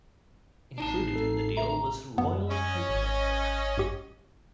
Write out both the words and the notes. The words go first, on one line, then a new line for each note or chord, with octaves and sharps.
Included in the deal was Royal Typewriter.
A1 D4 D#4 A5 C7
C4 A4
E5 A#5
F#2 B3
C#4 D#5
G#1
G2 G4 C#7